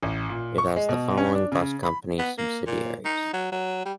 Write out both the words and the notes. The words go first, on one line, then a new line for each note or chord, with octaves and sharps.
It has the following bus company subsidiaries.
A1
A#2
C#6
G#3
B2
C#4
D4
C#3
B5
B3
A#3
A#2
D#4
F#3
F#3
G3